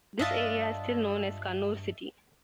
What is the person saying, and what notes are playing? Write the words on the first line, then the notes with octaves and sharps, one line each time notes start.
This area is still known as Kannur City.
G2 D4 F4 D#5 E5 A5